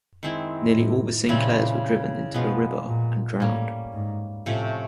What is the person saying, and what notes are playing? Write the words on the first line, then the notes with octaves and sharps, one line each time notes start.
Nearly all the Sinclairs were driven into the river and drowned.
D#3 G#3 C4 E4
A2
A#2 C#3 E3 G3 C4
B2 F3 G#3 B3
A#2
A2 G3 A#3 C#4
G#2
A2 C3 F3 A3 C#4